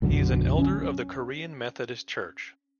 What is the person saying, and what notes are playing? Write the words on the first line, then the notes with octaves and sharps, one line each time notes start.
He is an elder of the Korean Methodist Church.
B1 F#2 D3
C#4